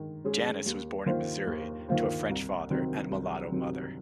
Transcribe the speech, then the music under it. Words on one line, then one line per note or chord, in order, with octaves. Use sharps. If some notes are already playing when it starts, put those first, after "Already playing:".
Janis was born in Missouri to a French father and a mulatto mother.
Already playing: D#3 G#3
G#3 C#4 G#4
D#2
D#3 A#3 F4 C5
D#2
D#3 A#3 F4 C5
C2
C3 D#3 F#3 C4
C2
C3 D#3 F#3 C4